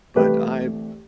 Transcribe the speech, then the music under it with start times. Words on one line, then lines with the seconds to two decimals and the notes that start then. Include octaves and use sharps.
But I
0.16 C2 C3 E3 A3 G4 B4